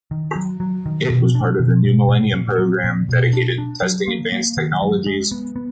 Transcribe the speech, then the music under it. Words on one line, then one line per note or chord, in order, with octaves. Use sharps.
It was part of the New Millennium Program, dedicated to testing advanced technologies.
D#3
F#3
F#3
D#3
B2
D4
B2
B2
A#2
A#2
F#3
A#2
B2
D4
D4
F#3
A#3
A#3
D#3
F#3
G#3
B3
B3